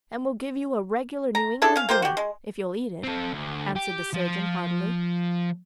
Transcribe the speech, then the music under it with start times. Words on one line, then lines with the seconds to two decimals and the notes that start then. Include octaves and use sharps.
And we'll give you a regular New England dinner, if you'll eat it,' answered the surgeon heartily.
1.35 A#5
1.62 D4 E4 G#4 A4
1.76 C#4 F5
1.89 A#3 F4 G4 C5
2.02 F#4 G4
2.17 G#3
3.04 C4 A4
3.33 D2
3.76 G4
4.14 F3